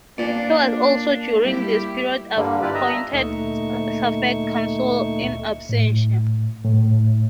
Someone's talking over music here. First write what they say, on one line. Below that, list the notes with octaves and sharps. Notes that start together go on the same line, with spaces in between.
He was also during this period appointed suffect consul "in absentia".
A#2 D4
G3 E4 G4
G2 D3 G3 A#3
E4 F4 G4 B4 D5
D#5 E5 A#5
D2 A#2 A3 D#4 E5 C#6
A2
A2